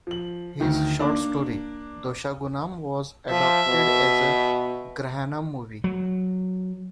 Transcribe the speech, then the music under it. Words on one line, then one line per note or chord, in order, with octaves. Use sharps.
His Short story Doshagunam was adapted as a Grahanam movie.
F3 F#7
D2 D#3 D#4
A#3 D4
F3 E5
B2
F#3